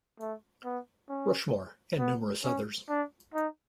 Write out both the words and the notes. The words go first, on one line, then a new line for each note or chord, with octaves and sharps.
Rushmore; and numerous others.
A3
B3
C#4
B3
C#4
D4
D#4